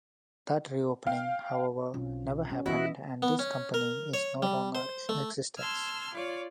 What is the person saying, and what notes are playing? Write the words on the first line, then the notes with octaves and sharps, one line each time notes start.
That re-opening, however, never happened and this company is no longer in existence.
F5 G5
B1 C4 C#4 F4
D#3 G3 C#4
E3 B3 C#4 E4 F#4 D#5 E5
B3
C#4
A#4
C#5
G3
C5
A3
A5 C6 E6 F6 G#6
F4 C#5 D5